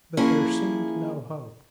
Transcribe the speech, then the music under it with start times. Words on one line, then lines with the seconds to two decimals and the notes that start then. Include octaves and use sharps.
But there seemed no hope.
0.17 F3 A#3 C#4 E4 G#4